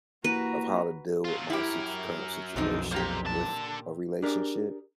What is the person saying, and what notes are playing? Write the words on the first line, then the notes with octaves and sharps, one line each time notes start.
of how to deal with my situ current situation with a relationship
A#3 E4 F#4 G4 B4 A#5
F#3 F4
F#2 E4 G4 A#4
B1 F2 D3 C4 D#4
A#2 G4 C5 A#5
D3 A5
D4 G4 G#4 A#4 D5